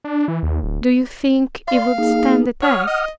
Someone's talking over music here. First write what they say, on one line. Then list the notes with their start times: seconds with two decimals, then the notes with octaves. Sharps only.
"Do you think he would stand the test?"
0.04 D4
0.28 E3
0.43 D#2
0.63 D1
1.68 D5 F5 C6
1.98 A#3 D#4 G#4
2.62 C#5 F#5 D#6 F6
2.88 D#5